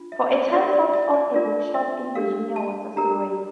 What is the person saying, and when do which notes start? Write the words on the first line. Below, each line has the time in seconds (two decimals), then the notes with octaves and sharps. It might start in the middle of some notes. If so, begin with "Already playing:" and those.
For a time Forbes owned a bookshop in Virginia Water, Surrey.
Already playing: D4 F4
0.12 E5
0.32 D5
0.48 E5
0.52 D4 F4 A#4 D5
0.73 D5
0.93 E5
1.14 D5
1.34 D4 F4 A#4 D5
1.74 E5
2.15 D4 G4 A#4 F5
2.56 A5
2.96 D4 G4 A#4 A#5